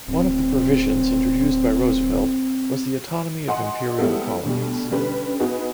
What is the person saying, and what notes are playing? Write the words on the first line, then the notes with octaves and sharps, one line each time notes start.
One of the provisions, introduced by Roosevelt, was the autonomy of imperial colonies.
D1 C4
D#5 F#5 G#5 C6
G3 G#3 B3 E4 A4
D2 B2 G3
D3 G3 C#4 D4 B4
B3 D#4 F#4 G#4 B4